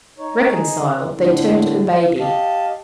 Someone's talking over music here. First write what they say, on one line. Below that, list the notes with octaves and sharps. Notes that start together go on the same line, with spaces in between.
Reconciled, they turned to the baby.
D#4 C#5
D#4 G#4
E3
A2 D3
G4 D#5 F5 A5